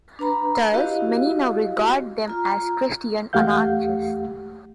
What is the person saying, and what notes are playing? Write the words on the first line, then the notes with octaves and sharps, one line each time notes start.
Thus, many now regard them as Christian anarchists.
D4 B4 A#5 B5
E4 F#4 G4 D#5 F5
F4 A#5
E2 A3 G4 F5 F#5 G6